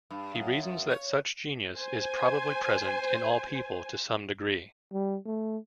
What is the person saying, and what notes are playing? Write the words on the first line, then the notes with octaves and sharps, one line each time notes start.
He reasons that such genius is probably present in all people to some degree.
G2
F#2
F#2
C#5
C5 G#5
G3
A3